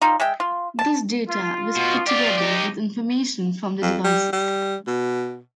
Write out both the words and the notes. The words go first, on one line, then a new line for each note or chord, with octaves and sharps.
This data was put together with information from the devices.
G3 D#4 F4
G#3 E5 G5
F4
A5
F4
B2
F4 G4 D5
D#4 G4
F2
G3
G3
B2